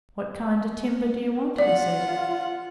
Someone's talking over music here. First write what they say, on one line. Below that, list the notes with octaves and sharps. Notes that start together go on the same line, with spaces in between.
"What kind of timber do you want?" he said.
F4 D5 F#5